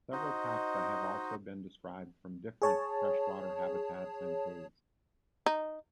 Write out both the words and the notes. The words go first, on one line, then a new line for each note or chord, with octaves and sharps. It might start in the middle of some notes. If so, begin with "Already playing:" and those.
Several taxa have also been described from different freshwater habitats and caves.
D#4 F#4 C5 D#5
G#4 C#5 A5
D#4